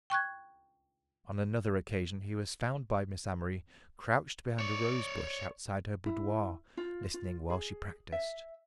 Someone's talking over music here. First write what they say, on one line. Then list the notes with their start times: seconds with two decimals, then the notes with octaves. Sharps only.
On another occasion he was found by Miss Amory crouched behind a rose bush outside her boudoir, listening whilst she practised.
0.10 G5 C#6 F#6 G#6
4.59 C#5 D5
6.06 E4
6.77 F4
7.14 F4
7.50 G#4
8.12 E5